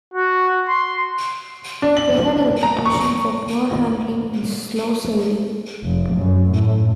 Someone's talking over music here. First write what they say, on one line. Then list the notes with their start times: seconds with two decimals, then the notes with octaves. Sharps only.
They had a reputation for poor handling and slow sailing.
0.14 F#4
0.68 C6
1.82 D4
1.97 F#7
2.63 A#5
2.86 C#6
5.84 F1
6.14 F#2
6.52 A2